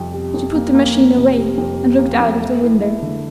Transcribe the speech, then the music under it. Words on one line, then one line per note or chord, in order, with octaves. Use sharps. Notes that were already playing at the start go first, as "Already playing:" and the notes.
She put the machine away and looked out of the window.
Already playing: F2 C3 G3
G3
F2
A#3
A#3
F2
C3
G3
F2
G3
A#3
F2
A3
E4
E4
D3